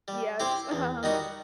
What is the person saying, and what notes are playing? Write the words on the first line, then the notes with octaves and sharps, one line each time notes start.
Yes. Uh-huh. Sa
G3
C4 E4 G4 C5
E2
D#3 G3 D#4 F#4